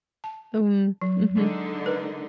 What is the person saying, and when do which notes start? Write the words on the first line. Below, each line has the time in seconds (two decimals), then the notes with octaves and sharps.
Mm, mhm.
0.24 A5
1.01 F#3
1.37 D3 G#3 D#4
1.86 A#4 B4